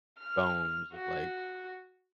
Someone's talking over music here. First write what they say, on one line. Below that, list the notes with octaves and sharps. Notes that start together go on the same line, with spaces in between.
bones of, like,
F6
F#4